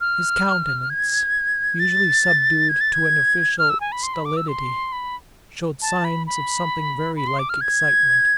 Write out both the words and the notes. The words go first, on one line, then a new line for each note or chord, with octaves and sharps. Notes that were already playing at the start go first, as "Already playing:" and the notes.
His countenance, usually subdued to an official stolidity, showed signs of something very like excitement.
F6
G#6
A6
G#6
A6
G#6
F6
E6
G#5
B5
C6
B5
D6
E6
C6
B5
A5
B5
B5
B5
C6
D6
F6
G#6